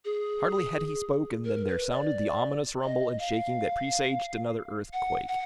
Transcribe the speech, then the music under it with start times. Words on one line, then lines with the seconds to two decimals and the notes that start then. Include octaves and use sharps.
Hardly had he spoken than there sounded the ominous rumble and shaking that presaged another earthquake.
0.05 G#4
1.45 A#4
1.68 B4
1.91 D5
2.84 D#5
3.19 F5
4.94 F#5
5.29 F#5